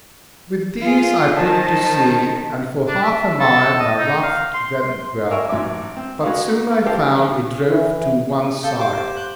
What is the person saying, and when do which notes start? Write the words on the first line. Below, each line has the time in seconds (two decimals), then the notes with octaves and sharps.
With these I put to sea, and for half a mile my raft went well; but soon I found it drove to one side.
0.81 F4 G#4
1.36 D#3 C5 A5
2.88 D4
3.02 E5
3.40 A4
3.80 D#5
3.98 D#4
4.23 F5
4.54 C6
4.79 C6
5.31 A#4 D5 E5 G#5 C#6 E6
5.49 A1 G#2 F#3 E5 D6
5.97 C4
6.23 G#3 F#4 B4 F5
6.68 A#4 B4
6.86 G4 A4 A#4 C5 F5 A5
7.67 E3
8.63 A4 F5 A5 G6
8.79 G4 C5 A5 D6
9.16 F#6 G6